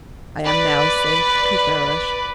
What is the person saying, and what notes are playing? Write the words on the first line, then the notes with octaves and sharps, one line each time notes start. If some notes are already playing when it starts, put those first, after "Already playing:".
I am now safe to perish.
B4 D5